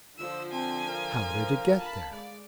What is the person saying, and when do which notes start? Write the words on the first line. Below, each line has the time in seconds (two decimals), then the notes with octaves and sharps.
How did it get there?
0.18 D3 F3 F4 C5 E6
0.52 C4 G#5 A5
0.93 A#4 F5
1.78 A5 B5
2.10 G#3 D5